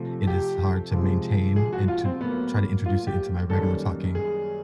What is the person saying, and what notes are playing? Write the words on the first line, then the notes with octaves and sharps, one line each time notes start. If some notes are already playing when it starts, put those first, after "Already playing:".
it is hard to maintain and to try to introduce it into my regular talking
Already playing: C3 F3 A3
G4
C3 F3 G#3
G#4
F#4
F4
C4
A2 F#3 A#3 B3
F4
G4
F#2 D#3 G3 A#3 A4
G#4